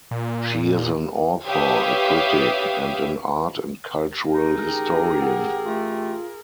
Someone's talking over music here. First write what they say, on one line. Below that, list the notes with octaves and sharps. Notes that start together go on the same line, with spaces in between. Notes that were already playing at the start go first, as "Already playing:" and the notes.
She is an author, a critic, and an art and cultural historian.
A#2
G4 B4 C#5 E5 F5 D#6
D#4 G#4 A#4
A1 G4
F#5
A3 F4